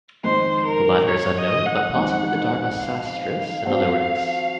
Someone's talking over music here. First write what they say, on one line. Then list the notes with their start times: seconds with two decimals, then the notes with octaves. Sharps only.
The latter is unknown but possibly the Dharmasastras and other works.
0.23 F2 D#3 G#3 C5
0.66 A#4
1.09 C#5
1.38 D#5
1.66 F#5
1.95 F2 D#3 G#3
2.80 F5
3.65 F3 C4 F#4